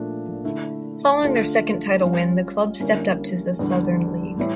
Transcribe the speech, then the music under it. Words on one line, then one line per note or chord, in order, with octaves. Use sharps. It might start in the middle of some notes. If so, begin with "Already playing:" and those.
Following their second title win, the club stepped up to the Southern League.
Already playing: A#2 F3 A3 D4
D3 A3 E4
D3 A3 D4 F4 A4
G3 C#4 F4
D3 G3 A#3 C#4 E4
E2 D3 G3 D4
A2 E3 G3